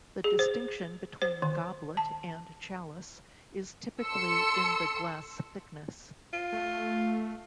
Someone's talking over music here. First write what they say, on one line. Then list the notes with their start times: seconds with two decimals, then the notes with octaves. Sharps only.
The distinction between goblet and chalice is typically in the glass thickness.
0.24 G#4
0.39 C5
1.22 C5
1.42 D#3
1.97 A5
4.03 A4 C6 E6 C#7
6.33 F4
6.53 A3